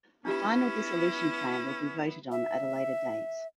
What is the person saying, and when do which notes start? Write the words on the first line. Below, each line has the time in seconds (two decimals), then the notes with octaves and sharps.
A final dissolution plan will be voted on at a later date.
0.25 B3 C#4 D4 E4 F4 G4
2.32 E5